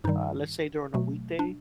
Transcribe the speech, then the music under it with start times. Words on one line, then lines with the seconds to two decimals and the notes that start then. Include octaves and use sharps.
uh, let's say during a weekday,
0.04 G2 D#3 G3 D#4
0.94 B2 F#3 A3
1.39 D4